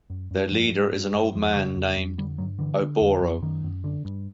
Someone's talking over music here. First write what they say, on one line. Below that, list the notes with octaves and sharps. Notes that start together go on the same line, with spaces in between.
Their leader is an old man named Oboro.
F#2
F#2
G#2 F3
G#2
G2
G2
F2 F3
C#3
F2
F2
D3 G3
G2 F#3
D3 E3
D3
F2
F2
F#2 D#3
F#2
D3
G2